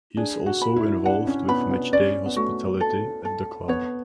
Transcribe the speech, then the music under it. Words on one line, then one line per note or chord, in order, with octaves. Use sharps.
He is also involved with matchday hospitality at the club.
D4 G#4
F#4
B5
E4
D4 F#5
C#4
B3 B5
B3
C#4 D5
B3
A3 F#4
A4
A4
B3 C#5